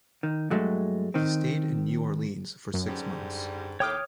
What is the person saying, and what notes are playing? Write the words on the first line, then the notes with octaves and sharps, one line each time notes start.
He stayed in New Orleans for six months.
D#3
G2 F#3 G#3 A3
D#3 C4
F#2
G#2 D3 G3
D#2 A2 C#5 G5 D6 D#6 F6